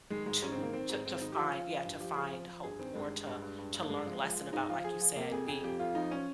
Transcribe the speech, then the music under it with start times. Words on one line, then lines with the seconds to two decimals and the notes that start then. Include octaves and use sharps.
To t to find Yeah, to find hope or to to learn lesson about, like you said, being
0.10 D#3 G#3
0.26 G#2 G#3
0.42 G#2 C#4
0.52 C4
0.58 D#3 A#3
0.73 D#3 C4
0.90 G#2
1.05 G#2 C4
1.21 D#3 D#4
1.32 G4
1.37 F3 F4
1.53 F3
1.69 F3
1.84 G2
2.00 F3 G4
2.16 F3 G#4
2.32 F3
2.48 F3
2.63 G2 G#4
2.79 D#3 C4
2.95 G2 G#3
3.11 G2
3.27 G2
3.42 G2
3.58 G2
3.74 G2
3.82 A#3
3.89 G#2 G#3
4.06 F3
4.22 F3
4.37 F3
4.53 G#2 D#4
4.69 F3 F4
4.84 F3 G#4
5.01 F3
5.16 C3 A#3
5.32 F2 G#4
5.48 F2 G#4
5.64 F3 G4
5.80 F2 F4
5.95 F3 D#4
6.11 C#4